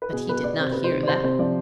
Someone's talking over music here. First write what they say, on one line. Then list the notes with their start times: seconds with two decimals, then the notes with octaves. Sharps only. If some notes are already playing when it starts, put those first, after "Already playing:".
But he did not hear that.
0.02 B4
0.12 B2 G#4
0.28 B2 B4
0.44 B2 D5
0.60 C3 C5
0.72 B4
0.76 C3
0.84 C5
0.91 D#3
1.03 D5
1.08 C3 C5
1.24 C3 C5
1.39 F3 D5